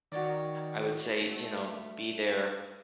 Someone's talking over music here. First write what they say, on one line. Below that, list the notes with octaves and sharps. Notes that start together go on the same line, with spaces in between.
I would say, you know, be there,
D#3 F#4 C#5 D5
A3